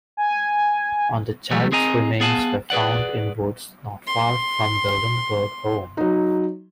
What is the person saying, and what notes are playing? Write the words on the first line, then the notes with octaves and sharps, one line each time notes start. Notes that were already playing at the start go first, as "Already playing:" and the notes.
On the child's remains were found in woods not far from the Lindbergh home.
G#5
E3 F#3 G3 A3
C4 G#4 D#5 G#5 A#5
B3 G#4 F5 F#5 G#5 A5
G#4 B4 D5 F#5
C6
F#3 D#4